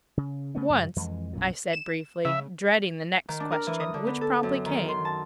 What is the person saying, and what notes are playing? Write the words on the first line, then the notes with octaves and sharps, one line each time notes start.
"Once," I said briefly, dreading the next question, which promptly came.
C#3
C#3 A3 B3 C#4
F#2 C#3 F#3 G3
F2 E3 G#3
B1 F#2 A#2
E7
C#3 E5
D#3
D4
A#4
E3
D#6
D3
B3
A4
F#2
D#3
C6
A5